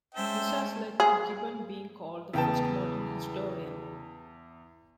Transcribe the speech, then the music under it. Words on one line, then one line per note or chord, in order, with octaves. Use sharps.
This has led to Gibbon being called the first "modern historian".
G#3 C#4 C5 E5 G5 A5
G#4
E2 C#3 E3 B3 G5 A5